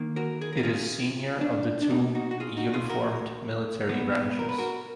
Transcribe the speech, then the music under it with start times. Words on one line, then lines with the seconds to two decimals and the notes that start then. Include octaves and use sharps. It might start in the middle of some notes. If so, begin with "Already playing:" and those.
It is senior of the two uniformed military branches.
Already playing: D#3 A#3
0.16 F#4 A#4
0.41 G#4
0.53 A#4
0.63 F4 G#4
1.41 D4
1.82 D4
1.90 B2 A#3 D#4
2.15 D#4 F#4
2.31 F#4
2.40 F4 G#4
2.57 D#4 F#4
2.73 F4 G#4
2.90 F#4 A#4
3.89 A#2 G#3 B3
4.39 A#4
4.49 B4
4.58 F#4 A#4